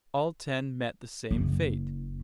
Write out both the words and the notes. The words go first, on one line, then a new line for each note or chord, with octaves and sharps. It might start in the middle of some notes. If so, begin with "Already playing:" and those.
All ten met the same fate.
F#1